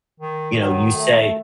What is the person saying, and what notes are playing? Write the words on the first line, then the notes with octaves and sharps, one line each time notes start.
you know, you say
D#3
D#3 F#3
A3